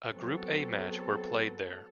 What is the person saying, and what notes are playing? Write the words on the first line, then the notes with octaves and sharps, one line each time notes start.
A Group A match were played there.
F#3 B3 C4 A4